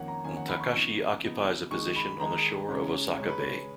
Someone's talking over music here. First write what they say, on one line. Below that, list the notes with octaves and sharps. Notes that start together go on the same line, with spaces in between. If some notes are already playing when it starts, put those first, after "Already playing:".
Takaishi occupies a position on the shore of Osaka Bay.
Already playing: F2 D#3 A#3 C#4 F#5
A#5
F2 D#3 A#3 C#4 G#5
F#5
B5
C#6
C#3 F3 B3 D#4
C#3 F3 B3 D#4
D#3 G#3 D#4 C#6
B5
D#3 G#3 D#4 A#5
C#3 G#3 C#4
C#3 G#3 C#4 C#5
B4
C#5